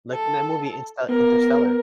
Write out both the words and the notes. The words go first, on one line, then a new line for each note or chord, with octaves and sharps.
Like in that movie, Insta Interstellar.
A4
B3 A#4